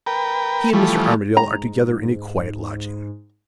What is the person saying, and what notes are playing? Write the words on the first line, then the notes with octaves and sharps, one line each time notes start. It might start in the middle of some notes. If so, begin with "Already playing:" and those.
He and Mr. Armadale are together in a quiet lodging.
A#4 B4 G5
E3 F3 G3 A3
G#2 A#5